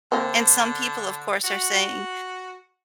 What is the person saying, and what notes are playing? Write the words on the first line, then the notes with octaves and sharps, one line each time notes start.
and some people, of course, are saying,
D3 A#3 C4
F#4